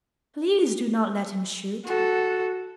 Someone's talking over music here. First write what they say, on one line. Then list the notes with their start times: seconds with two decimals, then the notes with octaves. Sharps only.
"Please do not let him shoot!"
1.85 F#4 A4